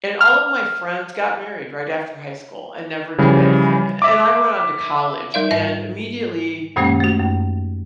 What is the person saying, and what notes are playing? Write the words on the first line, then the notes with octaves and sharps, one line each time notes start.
and all of my friends got married right after high school and never did anything, and I went on to college, and immediately
F6
C#3 E3 F3 G3
E5 D6
G3 D#4 A#4 D5 F5
G#2 D#5 E5 A#6
F#2 A#2 D#3 G#3 A#3 C#4
A3 F#4
F#2